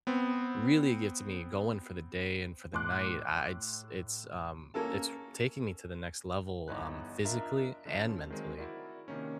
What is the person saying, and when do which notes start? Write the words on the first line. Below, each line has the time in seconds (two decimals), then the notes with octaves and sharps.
really gets me going for the day and for the night, I it's it's, um, it's taking me to the next level, um, physically and mentally.
0.07 B3 C4
2.73 A2 C6 D6 F#6
4.74 A#3 C#4 A4 A5
6.68 G1 E2 D#4 E4 F#6
7.25 D4 F4 A#4 D#5 E5 A#5
7.86 D3 F3 A3 C#4
8.30 D#3 F#3 G#3 C4
8.58 E4 F#4 A#4 D5
9.08 C3 D#3 A#3 C#4